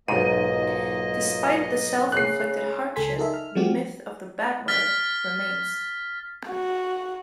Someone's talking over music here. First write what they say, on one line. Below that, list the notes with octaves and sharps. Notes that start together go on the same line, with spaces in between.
Despite the self-inflicted hardship, the myth of the "battler" remains.
B1 G#2 A#3 F4 D#5 D#7
C#3 F#6 C7
C#2 A4 G#5 C6 B6
D#4 A4 A#4 D#5 E5
F6
F3 G3 A3 C4 F#4 G4
F6 A6 B6
F#4